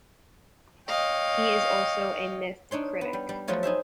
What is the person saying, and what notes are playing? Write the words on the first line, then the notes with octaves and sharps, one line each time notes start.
He is also a myth critic.
C#5 D#5 F5 G5
D4 D#4 C#5 C6
B3
G3
G3
F3 F#3 A3 F4 C#5 D#5
D#4 G#4 C5 E5